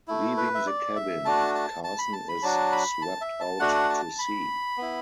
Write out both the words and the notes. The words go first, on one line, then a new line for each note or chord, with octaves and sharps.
Leaving the cabin, Carson is swept out to sea.
A3 E4
B4
E5
D5
E5
A3 D4 F#4 A5
A5
A5
B5
A5
B5
F#3 D4 F#4 A5
B5
A5
E5
A5
A3 D4 F#4 F#5
A5
B5
B3 E4